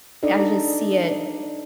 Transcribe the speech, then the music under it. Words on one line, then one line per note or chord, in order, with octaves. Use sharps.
I just see it
D4 D#4 A4 D5 D#5